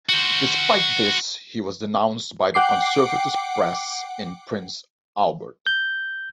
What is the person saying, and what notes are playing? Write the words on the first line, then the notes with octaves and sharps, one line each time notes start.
Despite this, he was denounced by the Conservative press in Prince Albert.
F#4 C5
F#5 G5 D6 C7
G6